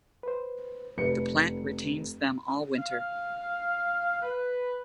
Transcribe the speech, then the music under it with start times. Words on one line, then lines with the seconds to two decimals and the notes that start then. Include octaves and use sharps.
The plant retains them all winter.
0.23 B4 C5
0.97 F1 F2 B4 C#7
2.78 F5
4.22 B4